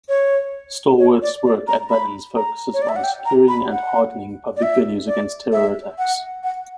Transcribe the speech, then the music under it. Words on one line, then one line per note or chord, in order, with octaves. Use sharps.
Stallworth's work at Valens focuses on securing and hardening public venues against terror attacks.
C#5
C#5
D5
D5
A#5
B5
A#5
C#5
D5
E5
F#5
G5
A#5
B5
F#5
D5
E5
D5
E5
F#5
F#5